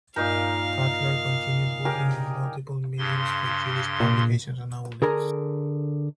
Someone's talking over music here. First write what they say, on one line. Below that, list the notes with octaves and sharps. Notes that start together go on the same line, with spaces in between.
Cutler continued working in multiple mediums for Jewish publications and outlets.
G2 A#2 D#4 A#4 F5 G6
C#3 G4 G#4 A#4
G2 C#3 C6
A#2
D3 G#4 A#4 A#5